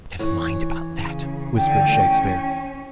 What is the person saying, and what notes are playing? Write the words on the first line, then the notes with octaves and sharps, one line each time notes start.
"Never mind about that," whispered Shakespeare.
E3 C#5
C#3
D3 G5
C#4